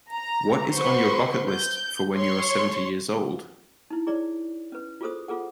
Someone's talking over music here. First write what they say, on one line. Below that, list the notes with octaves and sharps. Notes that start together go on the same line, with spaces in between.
What is on your bucket list for when you are seventy years old?
A#5
F#4 B4 C5 C6 C#6
G6
C#5 C6 C#6
D#4 E4
E4 G#4 C#5 D5
C#4 B4
F4 F#4 G#4 A4 C5 D#6
F4 G#4 A4 F#5